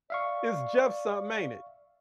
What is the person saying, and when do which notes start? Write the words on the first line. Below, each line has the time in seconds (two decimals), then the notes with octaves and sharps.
It's Jeff summin', ain't it?
0.10 D5 E5 F5 C#6